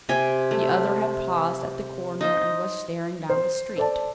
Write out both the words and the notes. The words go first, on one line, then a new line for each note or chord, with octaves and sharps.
The other had paused at the corner and was staring down the street.
C3 G4 G5 G#5
A3
D#4 C5
C5
A4 C5 D5 A5